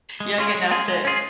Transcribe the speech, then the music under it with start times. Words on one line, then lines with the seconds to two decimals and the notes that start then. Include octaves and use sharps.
young enough that,
0.20 G#3
0.38 C#4 F4 G#4
0.55 G#3
0.71 C#4 F4 G#4
0.88 G#3
1.05 C#4 F4 G#4